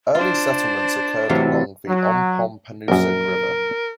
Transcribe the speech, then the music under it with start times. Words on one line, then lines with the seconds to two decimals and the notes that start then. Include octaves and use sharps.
Early settlements occurred along the Ompompanoosuc River.
0.15 D4 F4 C5 A6
1.29 A2 C3 E3 F#3 F5
1.88 F#3
2.88 A#1 F#2 A#4